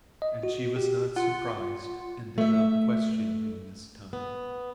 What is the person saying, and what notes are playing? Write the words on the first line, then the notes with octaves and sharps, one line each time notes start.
And she was not surprised and did not question him this time.
D#5
F#4
G4
F4 F#5
A3 E5
B3